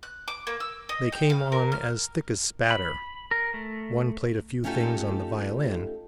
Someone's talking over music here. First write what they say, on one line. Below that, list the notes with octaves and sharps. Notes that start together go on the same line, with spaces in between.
They came on as thick as spatter. One played a few things on the violin.
F#6
D6
A#3
E6
D#5
G5
F5
A#4
F6
B5
A#4
A3
A3 C#4 D#4 F4 G4 A4